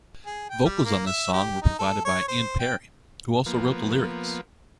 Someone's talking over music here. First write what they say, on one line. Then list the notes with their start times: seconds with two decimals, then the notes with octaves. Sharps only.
Vocals on this song were provided by Ian Parry, who also wrote the lyrics.
0.26 G#4
0.49 G5
0.65 G3
0.85 A#3
1.07 E5
1.33 G4
1.62 D#4
1.79 A4
2.05 C#5
2.28 C5
2.60 G5
3.46 F3 A#3 B3